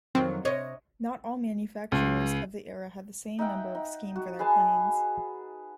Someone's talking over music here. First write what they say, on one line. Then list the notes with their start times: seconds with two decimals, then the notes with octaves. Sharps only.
Not all manufacturers of the era had the same number scheme for their planes.
0.15 F2 D#3 F#3 C4
0.45 C3 C#5 D#5
1.92 C#2
3.39 D#4 E5 F#5 G5
3.75 D#4
4.16 F#4
4.39 G#4 B4 G#5 A5